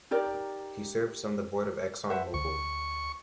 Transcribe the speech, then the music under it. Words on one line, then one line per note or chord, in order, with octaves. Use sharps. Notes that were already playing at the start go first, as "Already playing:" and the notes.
He serves on the board of ExxonMobil.
D#4 G4 A#4 D5
B4 C5 E5 F#5
D2 C#6